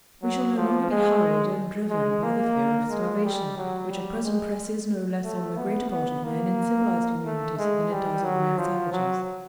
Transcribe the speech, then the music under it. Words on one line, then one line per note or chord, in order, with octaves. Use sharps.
We shall no longer be hurried and driven by the fear of starvation, which at present presses no less on the greater part of men in civilized communities than it does on mere savages.
F#3
F3
G#3
G#3
A#3
G#3
G3
F#3
G3
G#3
A3
B3
B3
A#3
A3
G#3
G3
F#3
F3
F#3